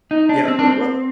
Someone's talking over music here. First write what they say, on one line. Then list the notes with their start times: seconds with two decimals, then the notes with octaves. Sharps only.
Yeah. But what
0.11 D#4
0.29 D4
0.48 C4
0.59 D4
0.67 C4